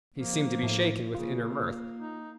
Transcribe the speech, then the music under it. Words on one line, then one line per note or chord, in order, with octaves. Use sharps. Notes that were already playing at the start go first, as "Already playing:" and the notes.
He seemed to be shaken with inner mirth.
F3 A#3
A2
C#3 A#3 F4
D#4